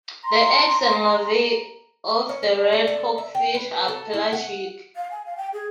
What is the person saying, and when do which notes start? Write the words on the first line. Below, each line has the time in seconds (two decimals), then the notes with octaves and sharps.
The eggs and larvae of the red hogfish are pelagic.
0.24 A#5 C6
2.29 C#4
2.43 D4
2.73 D5
2.87 A4
3.18 E5
3.35 G5
3.55 B4
3.88 A4
4.13 E4
4.33 F#5
4.96 F5
5.11 G#5
5.26 F5
5.37 G5
5.53 G#4